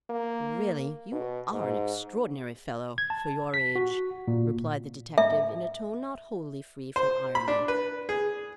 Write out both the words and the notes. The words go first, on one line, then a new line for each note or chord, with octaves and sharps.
"Really--you are an extraordinary fellow--for your age!" replied the detective in a tone not wholly free from irony.
A#3
B2
G#2
G#6
A5
B6
F#4
A#2
E5
C5
B5
D4
B4
G#4